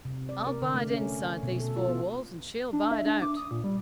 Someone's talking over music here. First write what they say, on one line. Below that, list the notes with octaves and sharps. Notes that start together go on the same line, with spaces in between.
I'll bide inside these four walls, and she'll bide out.
C3
D5
A#4
D3
A3
C#4
B2
A4
F4
B3
D4
E5
D4
D6
D#6
A#2
G3